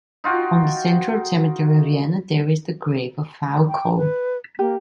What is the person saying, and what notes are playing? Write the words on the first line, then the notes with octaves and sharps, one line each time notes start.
On the central cemetery of Vienna there is the grave of Falco.
D#4 F4 F#4 G5
G5
B4
A#3 G4